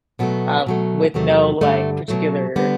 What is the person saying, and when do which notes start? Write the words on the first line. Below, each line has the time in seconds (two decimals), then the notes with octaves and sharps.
um, with no, like, particular,
0.19 B2 F#3 A3 B3
0.66 B2 F#3 A3
1.14 E2 C3 F#3 A3
1.61 G2 D3 G3 A3
2.08 B2 F#3 A3
2.56 D3 G3 B3